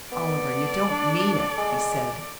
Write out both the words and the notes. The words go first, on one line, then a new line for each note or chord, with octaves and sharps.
"Oliver, you don't mean it," he said.
B3 A4 D5
D4
G#3